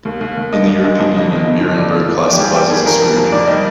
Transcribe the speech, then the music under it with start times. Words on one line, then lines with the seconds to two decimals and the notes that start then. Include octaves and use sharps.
In the European Union, Beerenburg classifies as a spirit drink.
0.05 D#2
0.21 D#2
0.37 D#2
0.52 D#2 D#5
0.67 D#2 D#5
0.84 G#3 D#5
0.99 F2 D#5
1.15 D3 D#5
1.31 G1 D#5
1.45 D3 D#5
1.61 F3 D#5
1.76 G1 D5
1.92 D#3
2.08 D#2
2.23 D#3
2.32 G4
2.39 G3 G#4
2.54 G3 G4
2.70 D#3 G#4
2.86 F2 A#4
3.02 F2
3.16 F2
3.32 D#3 D5
3.47 G3 D#5